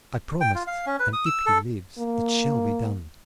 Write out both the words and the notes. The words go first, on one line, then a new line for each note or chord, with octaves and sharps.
I promised, and if he lives, it shall be done.
G5
F4
F5
C#4
B4
D#6
E6
A4
A#3